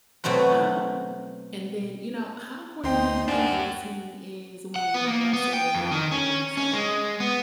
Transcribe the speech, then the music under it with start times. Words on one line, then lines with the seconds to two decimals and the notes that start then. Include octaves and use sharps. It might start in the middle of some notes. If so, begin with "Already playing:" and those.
Um, and then you know, how important do you think listening is when you're upset and arguing with someone?
0.24 B2 F#3 A3 C4 B4
2.84 D2 D#4 C5 G5 C6
3.28 F#2 D4
4.76 F#5
4.94 B3
5.07 A#3
5.33 B3
5.53 G5
5.75 F2
5.91 D#3
6.12 C#4
6.57 C#4
6.73 G#3
7.20 B3